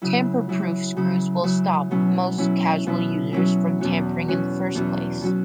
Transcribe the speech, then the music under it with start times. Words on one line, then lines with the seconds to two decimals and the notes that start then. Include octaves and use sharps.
Tamper proof screws will stop most casual users from tampering in the first place.
0.02 C#3 F#3 E4
0.49 C#3 F#3 E4
0.96 C#3 F#3 E4
1.44 C#3 F#3 E4
1.91 B2 F#3 C#4 E4
2.38 B2 F#3 C#4 E4
2.86 B2 F#3 C#4 E4
3.33 B2 F#3 C#4 E4
3.81 E2 B2 F#3 C#4 F#4
4.28 E2 B2 F#3 C#4 F#4
4.75 E2 B2 F#3 C#4 F#4
5.21 B2 F#3 C#4 F#4